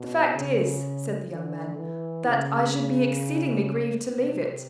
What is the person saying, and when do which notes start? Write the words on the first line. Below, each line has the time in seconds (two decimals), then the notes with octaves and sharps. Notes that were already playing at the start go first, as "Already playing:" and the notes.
"The fact is," said the young man, "that I should be exceedingly grieved to leave it."
Already playing: B2
0.35 C#3
1.30 D3
1.78 E3
2.26 C#3
4.18 C3